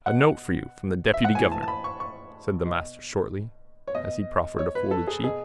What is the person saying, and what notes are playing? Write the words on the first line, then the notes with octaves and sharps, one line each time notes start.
"A note for you from the Deputy-Governor," said the master shortly, as he proffered a folded sheet.
B2 F#5
E5
F#5
A2 E3 G#5
A5
A5
B5
C#6
C#6
B2
C#5
B2 D#5
C#5
B4
A4
G#4
B2 G#4